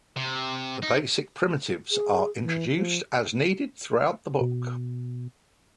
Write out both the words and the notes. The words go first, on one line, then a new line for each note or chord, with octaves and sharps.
The basic primitives are introduced as needed throughout the book.
C3
D#4
G#4
E3
F3
B2